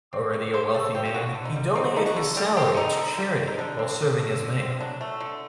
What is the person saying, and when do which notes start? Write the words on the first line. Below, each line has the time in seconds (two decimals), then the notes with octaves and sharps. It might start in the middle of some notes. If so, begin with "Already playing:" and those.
Already a wealthy man, he donated his salary to charity while serving as mayor.
0.13 C4
0.34 D#3
0.54 D#3 C5
0.74 A3 A4
0.95 C4 G4
1.05 G4
1.14 D3 F#4
1.35 D3
1.45 D#4
1.56 G3
1.75 C4 D#4
1.96 D3 D#4
2.06 F#4
2.16 D3
2.37 G3 G4
2.57 C4 G4
2.77 D3 D#4
2.97 D3
3.18 G3
3.38 C4
3.48 D#4
3.59 D3 D4
3.79 C4
3.99 F#3
4.20 A3
4.39 D3
4.60 C4
4.80 F#3 D4
5.01 A3
5.20 D3